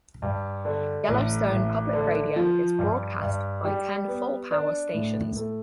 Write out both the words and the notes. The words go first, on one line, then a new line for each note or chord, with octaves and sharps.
Yellowstone Public Radio is broadcast by ten full-power stations.
G2
D3
A1
A1
D3
F3
G2
G2
G3
B3
D4
A2
A3